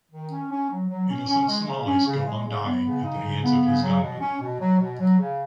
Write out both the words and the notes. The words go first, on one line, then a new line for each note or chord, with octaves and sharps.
Innocent Somalis go on dying at the hands of his gunmen.
D#3
C#4
C#4
F#3
F#3
C#4
C#4
G#3
C#3
C#4
C#3
G#3
C#3
B3
C#3
D#4
C#3
B3
C#3
F#3
B2
C#4
B2
F#3
B2
F#3
C#3